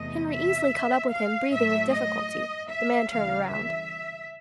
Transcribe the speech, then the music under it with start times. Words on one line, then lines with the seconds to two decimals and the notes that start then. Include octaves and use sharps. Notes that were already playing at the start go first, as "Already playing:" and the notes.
Henry easily caught up with him, breathing with difficulty. The man turned around.
Already playing: E2 C3 E3 A3 D#5
0.31 E5
1.11 F5
1.51 A2 F#3 A3 E5
1.91 D#5
2.70 E5
3.10 D2 C#3 E3 G3 F5
3.50 E5